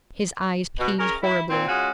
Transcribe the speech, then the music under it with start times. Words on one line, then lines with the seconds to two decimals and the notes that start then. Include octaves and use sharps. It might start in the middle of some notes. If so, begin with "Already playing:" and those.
His eyes pained horribly.
0.79 B2
0.99 C#4 G#4 A#4
1.23 E4
1.50 A#2 C4
1.67 G#3 C#4 F4 F#4